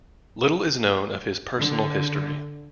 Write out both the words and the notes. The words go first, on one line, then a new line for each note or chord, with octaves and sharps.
Little is known of his personal history.
D3